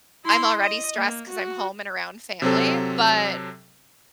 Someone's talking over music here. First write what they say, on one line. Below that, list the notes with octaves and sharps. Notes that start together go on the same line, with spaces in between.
I'm already stressed 'cause I'm home and around family, but,
E4 C6
D#5
A#3
F#4
C3 F#3 C4 A4